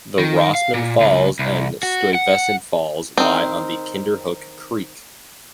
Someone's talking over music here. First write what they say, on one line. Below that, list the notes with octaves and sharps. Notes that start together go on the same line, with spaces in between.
The Rossman Falls and Stuyvesant Falls lie on the Kinderhook Creek.
D#3
F5
A#2
C#2
C2
F#4
F#5
D#3 C4